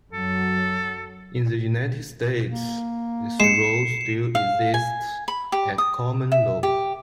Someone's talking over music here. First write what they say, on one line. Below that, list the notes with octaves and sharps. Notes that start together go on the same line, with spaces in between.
In the United States, this rule still exists at common law.
F#2 F#3 A4
A#3
G#3 C7 C#7 E7
F5
G#5
B5
G4
D#6
E5
G4